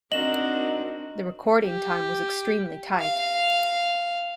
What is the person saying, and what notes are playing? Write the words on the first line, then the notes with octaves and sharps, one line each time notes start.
The recording time was extremely tight.
C4 D4 D#4 F#4 A#4 D#5 E7 F#7
G4
F5